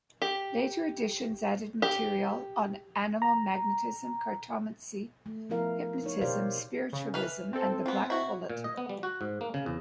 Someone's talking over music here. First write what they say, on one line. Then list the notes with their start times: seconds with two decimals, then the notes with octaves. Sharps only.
Later editions added material on animal magnetism, cartomancy, hypnotism, Spiritualism, and "The Black Pullet".
0.22 G4
1.82 G4
3.22 A#5
5.26 A3
5.49 F3 B3 E4 A#4 F5
6.03 D#4 C#5
6.21 B2 G4 A#4 C5 D5 F5
6.93 C#3
7.14 E3 B4 F6
7.53 C4 A4
7.86 B3 C4 F4
8.10 E4 F#4
8.50 A#2
8.64 D#5
8.78 B3
8.89 G3
9.03 F#4
9.21 G#2
9.41 A#3
9.54 C#3
9.66 E2